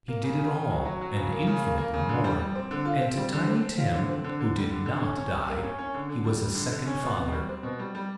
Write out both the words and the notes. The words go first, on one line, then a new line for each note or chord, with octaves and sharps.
He did it all, and infinitely more; and to Tiny Tim, who did NOT die, he was a second father.
A#3
C#3
C#3
C#3
F#3
F#3
F#3
C#3
A#3
C#3
A#3
A#3
C#3
D3
G3
G3
C4
D3
F4
C4
G3
D3
C4
C4
F4
D3
C4
D3
D3
G3
D3
D3
C#4
C#4
G3
A#3
C#4
C#4
D3
D3
G3
G3
D3
D3
C#4
B2
B2
G3
C4
B2
G3
G3